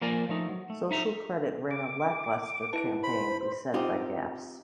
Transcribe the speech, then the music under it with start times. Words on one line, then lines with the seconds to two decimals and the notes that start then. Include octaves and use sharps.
Social Credit ran a lackluster campaign beset by gaffes.
0.02 F3 A#3 A#4 D5 G#5
0.29 F3 A3 D#4
0.49 F#3
0.70 A3
0.91 D#4 E5 A#5
1.71 D6
2.73 E4 B4 A5
3.03 C5 B5
3.74 C4 D#4 F4 G4